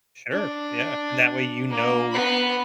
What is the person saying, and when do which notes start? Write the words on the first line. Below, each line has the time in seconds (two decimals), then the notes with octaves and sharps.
Sure, yeah. And that way you know
0.32 D4
1.70 A#3
2.12 B3 B5